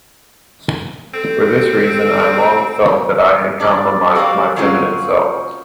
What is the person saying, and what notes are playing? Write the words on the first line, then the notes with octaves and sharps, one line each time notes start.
For this reason I long felt that I had compromised my feminine self.
C4 A4
D4 C#5 D5
F#4 G4 A#4 D5 F5
F#3 A#3 C4 C#4 F4 G#4